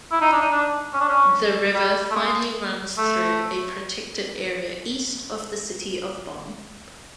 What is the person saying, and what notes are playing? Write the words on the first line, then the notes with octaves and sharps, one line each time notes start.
The river finally runs through a protected area east of the city of Bonn.
E4
D#4
D4
D#4
D4
C#4
D4
C#4
G3
A3
G#3
A3